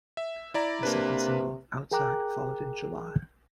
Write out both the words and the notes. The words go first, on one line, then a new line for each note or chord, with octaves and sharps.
A second single, "Out-Side", followed in July.
E5
E4 D5 A#5
C3 A#3 D4 B4
G#4 A#4 G5 A#5 D6 F#6